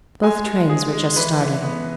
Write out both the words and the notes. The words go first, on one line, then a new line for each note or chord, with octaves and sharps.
Both trains were just starting.
G#3 G#5
G#3
G#3 G#4
G#3
E3 B4
E3
B3